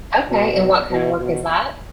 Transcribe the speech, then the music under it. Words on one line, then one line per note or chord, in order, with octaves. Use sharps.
Okay, and what kind of work is that?
B2
B2
B2